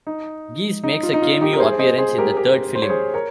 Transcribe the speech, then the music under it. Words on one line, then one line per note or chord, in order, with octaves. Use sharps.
Geese makes a cameo appearance in the third film.
D#4
D#4
F4
D#4
F4
D#4 G4
A#4
G#4 C5
C5 D#5
G#4 C5
G4 A#4
G4 A#4
C5
C#5
G#4 C5
A#4 C#5